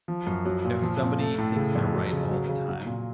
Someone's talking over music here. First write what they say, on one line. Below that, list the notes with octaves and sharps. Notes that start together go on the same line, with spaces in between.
If somebody thinks they're right all the time,
F3
F#2
F#3
A#2
F3
A#2
A3
A2
C#3
F2
F#3
C#3
F#3
C#3
F#3
A#2